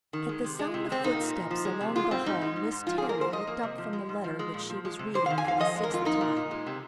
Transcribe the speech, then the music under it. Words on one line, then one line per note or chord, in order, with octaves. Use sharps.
At the sound of footsteps along the hall Miss Terry looked up from the letter which she was reading for the sixth time.
D#3
G#3
C3
G#3
C3
C3 C4
A#3 D#4
A#2
A#2
F3
G#3
C3
G#3 F4
G#2 C4
G#2 D#4
G#3
G#2
G#2
F3 F4
G#4
A#3
A#4
G#2 C5
F3 D#5
A#3
C3
F3
G#3
G#2
F3
G#3
A#2
F3
G#3
C3
C3 C5
F5
D#3
G#5
F2 F5
F3 D#5
G#3
A#4
F2 F4
A#3 D#4
A#2
A#2
G#3
C3